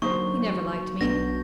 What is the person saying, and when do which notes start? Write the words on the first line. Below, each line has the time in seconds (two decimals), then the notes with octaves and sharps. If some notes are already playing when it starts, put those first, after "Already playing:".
He never liked me.
0.02 D3 F#3 A#3 D#4 C5 C#6
1.01 B1 B3 D4 G6 A#6